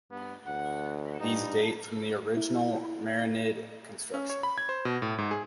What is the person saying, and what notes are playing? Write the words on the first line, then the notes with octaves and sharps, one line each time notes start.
These date from the original Marinid construction.
G2 B3
D2 F#5
G2 D#4
E4
C#4
C#5
B5
G#6
C5
B2
A2
G#2
G#4